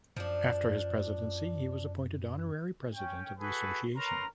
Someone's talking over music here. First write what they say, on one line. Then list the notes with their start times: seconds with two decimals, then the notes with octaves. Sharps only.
After his presidency he was appointed Honorary President of the Association.
0.17 F#2 F3 D4
2.95 C#4 G5
3.39 F#4 G#4 A4 B4
3.95 A#4 B4 C#5 A#5 C6